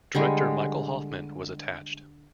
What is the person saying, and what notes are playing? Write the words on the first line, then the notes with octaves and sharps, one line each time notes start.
Director Michael Hoffman was attached.
D3 G3 G#3